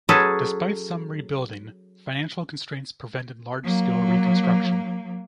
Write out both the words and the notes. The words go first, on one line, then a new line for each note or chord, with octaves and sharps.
Despite some rebuilding, financial constraints prevented large scale reconstruction.
F#3 C#4 G#4 A4 B4
F#3 A#3